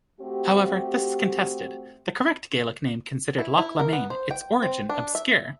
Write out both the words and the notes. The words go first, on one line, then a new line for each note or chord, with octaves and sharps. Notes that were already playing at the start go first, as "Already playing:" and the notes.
However, this is contested, the correct Gaelic name considered "Loch Laomainn", its origin obscure.
A3 C4 F#4 G4
E4
E4
A#4
B3
C5
G5
C4
D4
E5